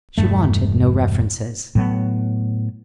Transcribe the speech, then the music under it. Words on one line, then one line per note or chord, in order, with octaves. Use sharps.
She wanted no references.
E1 C#2 G2 A3
A2 F#3 B3